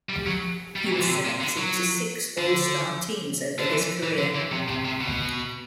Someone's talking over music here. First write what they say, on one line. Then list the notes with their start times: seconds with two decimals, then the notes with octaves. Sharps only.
He was selected to six All-Star teams over his career.
0.09 G3
0.26 F#3
0.76 G3
0.85 F#3
0.92 E3
0.99 D3
1.07 C3
1.25 C3
1.40 D3
1.57 F#3
2.38 D3
3.59 D3
3.70 E3
4.03 E3
4.18 D3
4.35 E3
4.51 C3
4.68 C3
4.85 C3
5.01 B2